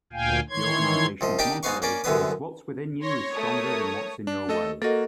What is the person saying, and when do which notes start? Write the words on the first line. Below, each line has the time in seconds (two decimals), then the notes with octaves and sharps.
The organization's motto is What's Within You Is Stronger Than What's In Your Way!
0.13 D2 A#2 F5 G5 G#5
0.50 D#3 E3 C#5 C6 G#6
1.21 C2 F3 D#5
1.39 D4 D#4 G4 A#4 G5 B5
1.63 G#2 B3 D#4 B4 F5 C#6
1.82 A#3 C#4 D5
2.04 C2 F#2 D3 B3 B4 D#6
3.01 C#5 C6 A#6
3.34 A3 A#4 D#6
4.27 D4
4.49 A3 A4 D#5
4.82 A#3 F#4 A4 A#4 D#5